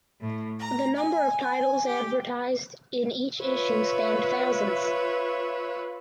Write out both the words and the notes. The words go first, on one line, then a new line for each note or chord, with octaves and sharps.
The number of titles advertised in each issue spanned thousands.
A2
A#5
G#5
G#5
G4
F4 B4 C#5 E5